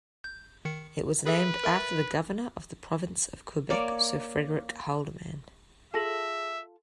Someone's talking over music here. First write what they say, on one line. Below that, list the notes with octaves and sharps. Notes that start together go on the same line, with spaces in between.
It was named after the governor of the Province of Quebec Sir Frederick Haldimand.
G6
D#3 C#7
G#4 A4 B4 E5
A#4 E5 A6
A#3 C#5 D5
F4 G#4 A4 E5 A5 A#6 F#7